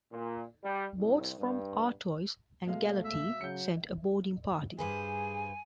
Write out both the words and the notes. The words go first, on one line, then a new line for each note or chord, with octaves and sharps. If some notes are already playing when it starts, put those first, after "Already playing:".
Boats from "Artois" and "Galatea" sent a boarding party.
A#2
G3
C2
G2
B2 G#3 A3 F5
E5
C#3 F#3 G6 C#7
G2 G#4 B4 C5 G#5